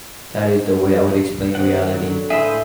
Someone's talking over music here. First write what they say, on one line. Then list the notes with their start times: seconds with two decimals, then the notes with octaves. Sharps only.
That is the way I would explain reality.
1.55 D#3 C4 F#5
1.93 D3 F#3
2.30 A2 G#4 B4 C5 E5